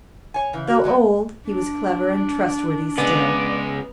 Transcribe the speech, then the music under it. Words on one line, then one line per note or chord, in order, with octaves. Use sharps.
Though old, he was clever and trustworthy still.
C#5 G#5
C#3 E3
A#3 F#4
G3 G#3 B3
D4
G#3 B3 C#4 D5